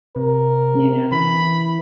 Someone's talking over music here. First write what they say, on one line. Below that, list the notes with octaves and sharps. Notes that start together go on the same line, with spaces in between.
You know?
C3 A#4
E3 B5